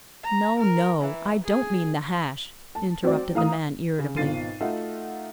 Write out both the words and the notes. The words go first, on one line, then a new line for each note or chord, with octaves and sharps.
"No, no, I don't mean the hash," interrupted the man irritably.
A#5
A#4
E3
G#4
A5
F#3 C4 F#4 D5
E3 F5 A#5 D#6
C#3
G#1 B2 F4 A6 C7 D#7
A3 D#4 F4 F#4 E5 F#5